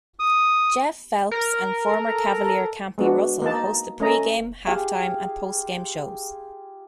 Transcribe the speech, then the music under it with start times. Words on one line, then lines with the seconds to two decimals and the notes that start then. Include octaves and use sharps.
Jeff Phelps and former Cavalier Campy Russell host the pregame, halftime, and postgame shows.
0.19 D#6
1.31 A#4
1.85 A4
2.98 G#3 B3 D4 F#4
3.42 A#3 D#4 A5
4.00 A3 C#4 D#5 A#5
4.67 F4 G4 G#4 F5